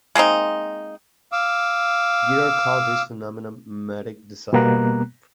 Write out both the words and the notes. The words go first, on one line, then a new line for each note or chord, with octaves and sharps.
Girard called this phenomenon mimetic desire.
G#3 A#3 C4 D#4
F5 D6 E6
B2 G3 A#3 B3 A#5 F#6